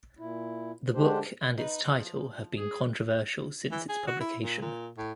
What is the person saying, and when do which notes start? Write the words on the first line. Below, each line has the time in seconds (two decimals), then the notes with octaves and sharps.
The book and its title have been controversial since its publication.
0.19 A#2 E4
0.95 D3 G#3 D4 G4 C5
1.58 D#4 B4
1.85 F3
2.58 G#4
3.71 E3
3.89 G#4
4.07 F#4
4.21 E4
4.43 A#2
4.62 A#2
4.98 A2